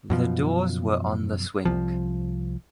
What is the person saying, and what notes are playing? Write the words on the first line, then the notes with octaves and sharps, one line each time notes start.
The doors were on the swing.
F#2 B2 F3
C2 F3